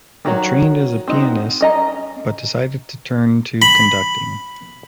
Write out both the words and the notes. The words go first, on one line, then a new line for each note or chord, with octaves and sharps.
He trained as a pianist, but decided to turn to conducting.
D#3 F#3 F#4 C#5
C4 D#4 F#4
C#4 D#5 A#5
B5